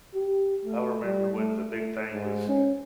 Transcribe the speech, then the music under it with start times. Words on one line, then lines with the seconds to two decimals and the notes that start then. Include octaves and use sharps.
I remember when the big thing was
0.14 G4
0.64 A3
1.04 G3
1.35 A3
1.77 A3
2.13 G#2
2.48 C#4